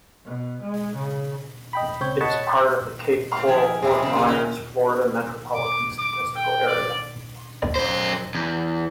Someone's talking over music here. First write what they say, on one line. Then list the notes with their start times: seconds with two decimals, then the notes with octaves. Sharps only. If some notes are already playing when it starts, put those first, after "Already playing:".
It is part of the Cape Coral-Fort Myers, Florida Metropolitan Statistical Area.
0.24 B2
0.61 G#3
0.95 C#3
1.73 D#5 G5 B5
2.00 C#2 C4 C#5 G6
2.21 C#5 D#5 F#5 A5 B5 C#6
3.31 G#2 F5
3.47 D#3 F3 E4 G#4
3.82 F3 G3 G#3 C4 G#4 D#5 E5 B5
4.02 G2 C#3 C4
4.15 B2 G3 D#4
4.27 D#3 C4 C#4 G#5
5.55 D6
5.99 D6
6.36 G5
6.67 D5
7.76 F#2 C5
8.34 E2